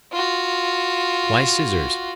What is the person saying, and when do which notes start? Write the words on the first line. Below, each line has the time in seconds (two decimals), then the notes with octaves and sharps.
Why scissors?
0.12 F4 F#4